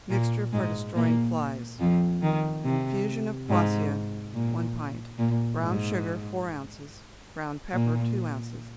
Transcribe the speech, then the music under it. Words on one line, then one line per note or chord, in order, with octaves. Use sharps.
Mixture for Destroying Flies--Infusion of quassia, one pint; brown sugar, four ounces; ground pepper, two ounces.
A#2 A#3
G#2 G#3
A#2 A#3
F2 F3
D#3
C3
G#2
A#2
A#2
G#2
A#2